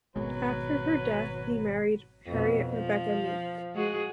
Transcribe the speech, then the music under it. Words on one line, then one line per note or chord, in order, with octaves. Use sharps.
After her death, he married Harriet Rebecca Meek.
G#1 B2 F#3 G#3 B4
F2 B2
F3
G#3 F#4 G#4